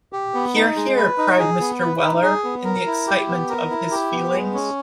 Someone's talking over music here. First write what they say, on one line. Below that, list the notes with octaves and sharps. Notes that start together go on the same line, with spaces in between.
Hear, hear!’ cried Mr. Weller, in the excitement of his feelings.
G4
B3
D#4
G#3
B4
D#4
G#4
B3
B4
D#4
G#4
B3
A#4
E4
G4
B3
A#4
E4
G4
B3
G#3
C#4